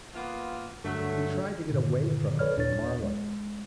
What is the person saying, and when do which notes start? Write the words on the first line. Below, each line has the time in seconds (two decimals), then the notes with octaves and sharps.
We tried to get away from it at Marlow.
0.15 A#3 B3 F4
0.84 G2 D3 F#3 A3
1.69 G2 A#2 D3 D#3
2.39 A4 B4 C#5 D5 F6
2.56 D#2 A#2 D4 E4 C#5 A6
3.03 G#3